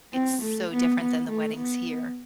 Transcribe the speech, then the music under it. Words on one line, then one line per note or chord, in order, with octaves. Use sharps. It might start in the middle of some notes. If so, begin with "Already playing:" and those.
it's so different than the weddings here.
C4
A3
B3
B3
A3
B3